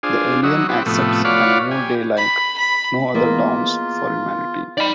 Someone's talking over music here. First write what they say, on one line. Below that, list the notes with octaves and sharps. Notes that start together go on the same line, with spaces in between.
The Alien accepts, and a new day like no other dawns for humanity.
D4 F4 G#4 C5
F#3 D#4 E4 F#4
C4 F#4 G4 B4
A2 C3 F3 A3 B3
F4 F#4 C#5 D5 F5 B5
G4 G#5
B5
B5
E3 A#3 B3 F4 G#4 D#5 E5
D#4 D5 G5 B5